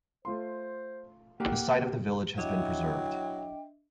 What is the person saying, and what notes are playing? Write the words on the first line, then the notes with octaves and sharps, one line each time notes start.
The site of the village has been preserved.
A3 F4 C5 C6
A#3 G4 F#5
F#3 D4 E4 D#5 E5 G5